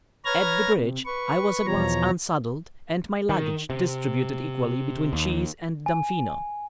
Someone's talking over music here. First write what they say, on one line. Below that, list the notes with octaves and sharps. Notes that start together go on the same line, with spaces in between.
At the bridge, I was at once unsaddled, and my luggage distributed equally between Cheese and Damfino.
B4 C#5 A#5 F6 G#6 A#6
C3
B4 C#6
E2 B2 F3 C#5 A#5
D#3
C3
D#2
G#5